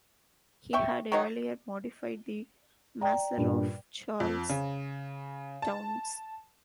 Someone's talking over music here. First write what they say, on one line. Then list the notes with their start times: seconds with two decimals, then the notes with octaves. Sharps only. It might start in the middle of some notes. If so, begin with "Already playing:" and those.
He had earlier modified the maser of Charles Townes.
0.73 E5 G5 C#6
1.12 D#3 F#3 D#4
3.01 D5 G5 A#5
3.38 G2 A#2
4.20 F2
4.49 C#3
5.62 A5